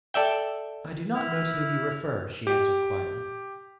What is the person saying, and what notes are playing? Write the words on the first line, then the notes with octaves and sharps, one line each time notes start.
"I do not know to whom you refer," she answered quietly.
A4 D5 E5 G5
E4 F6
G4